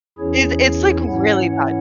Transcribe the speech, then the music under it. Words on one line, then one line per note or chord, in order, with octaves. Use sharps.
It it's, like, really bad.
E2 E3 C#4 E4 G#4 C#5
G#2 E3 C#4 E4 C#5 F#5
C#5 F#5